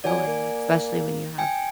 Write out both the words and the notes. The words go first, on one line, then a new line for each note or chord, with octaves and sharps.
going, especially when you have
F#3 D5 G#5
A#3
G5 G#5